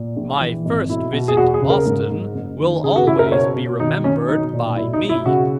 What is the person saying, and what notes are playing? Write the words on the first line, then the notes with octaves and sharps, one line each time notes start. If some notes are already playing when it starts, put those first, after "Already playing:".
My first visit to Boston will always be remembered by me.
Already playing: A#2
A#1
E3
G#1
B1 E4
B2
G#4
E2 F#4
G#4
C#3
A#4
G#2
G#2
F#1
D#3
C#3 G#4
F#4
C#3 E4
A#4
B2 C#5
B2
D#3 D#4
D#3 C#4
B1 D#4
A#2
B1 E4
D#4
B1
E4
C#3 F#4